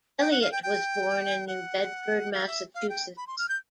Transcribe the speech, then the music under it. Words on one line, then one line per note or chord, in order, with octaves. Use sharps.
Eliot was born in New Bedford, Massachusetts.
G5
F#5
F5
G5
G5
F#5
F5
E5
F5
G5
B5
C6
F6
G6